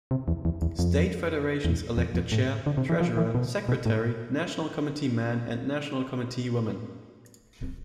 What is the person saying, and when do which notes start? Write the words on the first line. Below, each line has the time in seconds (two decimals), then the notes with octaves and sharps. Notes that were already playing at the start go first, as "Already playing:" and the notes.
State Federations elect a Chair, Treasurer, Secretary, National Committee Man and National Committee Woman.
0.11 C3
0.28 E2
0.45 E2
0.62 E2
0.79 F2
1.64 E2
1.97 F2
2.15 F2
2.32 A2
2.66 D3
2.77 C3
2.89 E3
3.00 F3
3.17 E3
3.35 B2
3.69 B2
3.86 A2